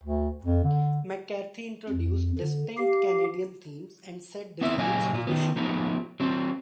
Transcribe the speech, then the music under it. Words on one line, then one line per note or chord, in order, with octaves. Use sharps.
McCarthy introduced distinct Canadian themes and set designs to the show.
D2
F2
D3
F2
D3
G4 F5
B3 C4 E4 E5
A#2 F#3 A#3 D#5 G#5
A#2 F4
D#3 B3
F3 A3 B3 D#4
F#3 C4